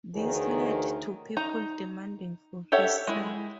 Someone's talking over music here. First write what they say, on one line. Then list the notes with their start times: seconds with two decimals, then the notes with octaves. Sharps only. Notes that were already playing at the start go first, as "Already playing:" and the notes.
This led to people demanding for his sack.
0.16 D2 D#3 E3 D#4 G#4 C#5
1.37 D#4 A#5
2.72 G4 A4 C#5 E5 F#5
3.07 G#3 E4